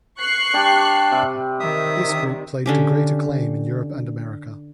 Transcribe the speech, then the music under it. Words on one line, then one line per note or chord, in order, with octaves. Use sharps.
This group played to great acclaim in Europe and America.
C#6 F#6 C7
G3 D4 G4 D5 G5
C3
D#3 E5 D#6
D3 C#4 G4